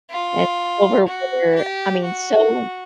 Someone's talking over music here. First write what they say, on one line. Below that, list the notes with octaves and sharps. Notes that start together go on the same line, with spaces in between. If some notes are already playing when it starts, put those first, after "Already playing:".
and silverware I mean, so,
F4
F#4
G4
F#4